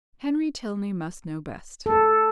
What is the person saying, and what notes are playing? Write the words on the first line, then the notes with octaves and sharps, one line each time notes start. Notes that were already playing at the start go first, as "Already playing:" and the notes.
Henry Tilney must know best.
A4